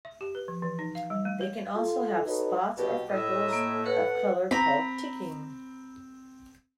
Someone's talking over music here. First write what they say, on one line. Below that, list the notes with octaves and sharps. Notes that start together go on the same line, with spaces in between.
They can also have spots or freckles of color, called ticking.
E5
G4
B4
F3
E3
D#4
F5
G3
A3
C#5
F4 A4
D#4 F#4 A4 B4 C#5 D#5
C2 B2 G4
A2 D#5 E5
A#3 A#5
A4 B4 F#5
C4 A#5 B5